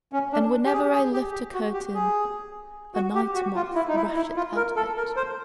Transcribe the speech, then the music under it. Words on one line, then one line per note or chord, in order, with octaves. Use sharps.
And whenever I lift a curtain, a night-moth rusheth out of it.
C#4
D4
G4
G#4
G#4
G4
G4
F#4
G4
G#4
F#4
G4
F#4
F4
E4
D#4
E4
E4
F4
A#4
A4
A#4
C5